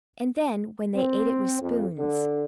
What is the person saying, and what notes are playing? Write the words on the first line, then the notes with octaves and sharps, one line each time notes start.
And then when they ate it with spoons!
C4
F2
D3